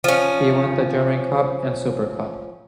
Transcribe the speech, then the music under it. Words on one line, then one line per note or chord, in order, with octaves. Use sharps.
He won the German Cup and Super Cup.
F3 C#4